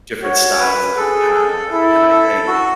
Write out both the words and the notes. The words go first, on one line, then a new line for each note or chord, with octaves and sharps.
different styles that people have, and and I think,
F#4 C#5
B4
G#4 A4
A4
E4 A4
A4
F#4